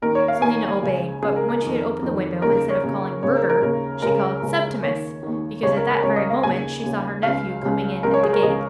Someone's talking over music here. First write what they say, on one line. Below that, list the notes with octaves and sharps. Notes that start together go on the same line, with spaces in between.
Selina obeyed; but when she had opened the window, instead of calling 'Murder!' she called 'Septimus!' because at that very moment she saw her nephew coming in at the gate.
D#2 D#3 A#4
C#5
F5
D#2 D#3 G#5
C#2 C#3
C#2 C#3 G#4
A#4
A#4
F2 D#3
F2 D#3
D#2 C#3 A#4
C#5
D#2 C#3
D#2 C#3 C#5
A#4
A#4
D#2 C#3 A#4
C#2 C#3 A#4
C#2 C#3
D#2 D#3 C#5
D#2 D#3
C#2 C#3 C#5
A#4
A#4
C#2 C#3 C#5
D#5
F5
D#2 C#3 G#5
D#2 C#3
C#2 C#3 F5
C#2 C#3
C#2 C#3 A#4
C#5
G#4
A#4
C#2 C#3 D#5